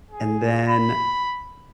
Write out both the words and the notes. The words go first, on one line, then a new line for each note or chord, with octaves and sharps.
And then,
G#4
B5